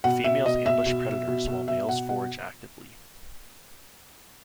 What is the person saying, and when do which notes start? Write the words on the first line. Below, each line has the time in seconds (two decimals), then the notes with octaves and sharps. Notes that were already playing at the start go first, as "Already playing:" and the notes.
Females ambush predators while males forage actively.
0.04 B2 F#5
0.24 B2 E5
0.45 B2 D#5
0.66 B2 E5
0.86 B2
1.07 B2
1.28 B2
1.48 B2
1.68 B2 E5
1.88 B2 F#5
2.09 B2 F#5